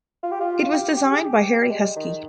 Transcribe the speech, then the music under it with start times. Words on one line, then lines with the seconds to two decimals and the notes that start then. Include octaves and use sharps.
It was designed by Harry Huskey.
0.23 F4
0.31 G4
0.40 F4
0.64 F4
0.73 G4
0.97 G4
1.11 G#4
1.24 G4
1.62 G3
1.70 G#3
1.96 D#3